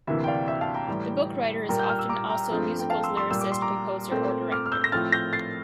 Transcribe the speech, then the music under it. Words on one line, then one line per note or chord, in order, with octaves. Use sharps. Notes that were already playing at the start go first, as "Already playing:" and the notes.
The bookwriter is often also the musical's lyricist, composer, or director.
D2 C3 E3 A#3 E5
G5
D5 F5
E5 G5
F5 A5
G5 A#5
A2 E3 G3
A#2 G3 A#3 G5 A#5
G6
F6
E6
A#5 D6
G5 A#5
G2 F3 A3 C4
G5
F5 A5
C6 E6
C6 E6
A#2 G3 A#3 E6
D6
C6
A#5 D6
A#2 A3 C4
D6 F6
F6
E6 G6
A#6
A2 F3 A3 C4 F6 A6
G6 A#6
A6 C7